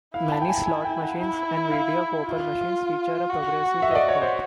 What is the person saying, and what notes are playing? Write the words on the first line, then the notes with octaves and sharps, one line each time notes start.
Many slot machines and video poker machines feature a progressive jackpot.
E4 F5
A5
G5
G#5
G#5
G5
F#5
E4
F5
F4
F#4
E5
D#5
D5
C#5
C5